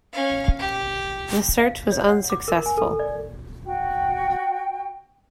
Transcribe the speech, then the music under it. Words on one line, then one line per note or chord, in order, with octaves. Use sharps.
The search was unsuccessful.
C#4 F5
G4
F5
C#5
F#5
D6
A#4
G#5
A4
D5
F#4 G5